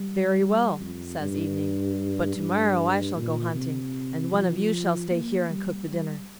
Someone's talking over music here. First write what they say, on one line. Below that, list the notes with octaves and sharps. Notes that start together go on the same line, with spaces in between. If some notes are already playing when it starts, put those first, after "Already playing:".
"Very well," says Evening; "but to-morrow I shall go hunting, and one of you shall stay here and cook the dinner."
Already playing: G3
G3
F2
G2
G2
A#2
C3
F3
A#3
G3
G3